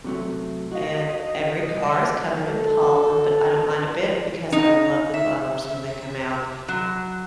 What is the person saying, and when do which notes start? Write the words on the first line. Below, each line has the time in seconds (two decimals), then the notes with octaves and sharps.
and every car is covered in pollen, but I don't mind a bit because I love the flowers when they come out.
0.04 C3 F#3 A3
0.72 F#4 D#5 F5
1.63 C2 D#5
2.39 D3 F#4 A4
4.52 D#4
5.14 E5
6.68 F#3